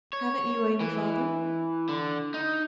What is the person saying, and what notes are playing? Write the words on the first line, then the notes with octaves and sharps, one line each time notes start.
"Haven't you any father?"
C#5
E3
D3
D#4